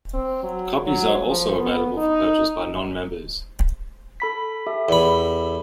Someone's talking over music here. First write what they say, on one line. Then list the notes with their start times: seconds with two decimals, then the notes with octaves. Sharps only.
Copies are also available for purchase by non-members.
0.13 C4
0.43 F#3
0.87 F#3
1.28 F3
1.59 B3
1.97 D#4
4.20 A4 B5 B6
4.67 G4 A4 E5
4.89 E2 B5